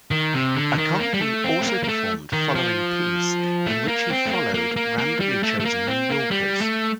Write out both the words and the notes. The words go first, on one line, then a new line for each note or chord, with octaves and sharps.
Acconci also performed "Following Piece", in which he followed randomly chosen New Yorkers.
D#3
C3
D3
D#3
A#3
G3
A3
C4
A3
A#3
A#3
A3
D#3
F3
A3
A#3
C4
A3
A#3
A#3
A#3
A#3
G3
A3
A3
A#3
C4
A#3
G3
A3